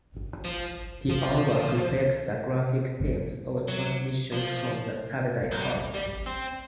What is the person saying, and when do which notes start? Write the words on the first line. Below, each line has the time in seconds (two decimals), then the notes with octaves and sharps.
The artwork reflects the graphic themes of "Transmissions from the Satellite Heart".
0.45 F3
1.10 F3
3.68 F#3
4.32 F3
5.52 F#3
5.62 G3
5.94 G3
6.26 C4